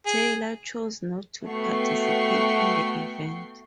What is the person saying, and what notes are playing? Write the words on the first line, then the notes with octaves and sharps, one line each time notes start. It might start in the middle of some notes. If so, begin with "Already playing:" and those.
Taylor chose not to participate in the event.
G#4
A3 B3 F#4 G5 C#6 C7